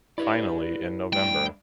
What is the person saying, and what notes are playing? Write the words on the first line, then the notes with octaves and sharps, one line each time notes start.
Finally in November.
E4 G4 B4 D5
G3 A3 D4 G5